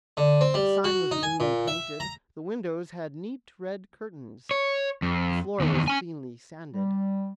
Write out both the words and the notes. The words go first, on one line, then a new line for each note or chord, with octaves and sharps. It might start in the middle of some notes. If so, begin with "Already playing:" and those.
The sign was newly painted; the windows had neat red curtains; the floor was cleanly sanded.
D3
C4
G3
F#4
D#4
G#5
A#2
E5
A#5
C#5
F2
E2 D#3
C#4 G#5
G3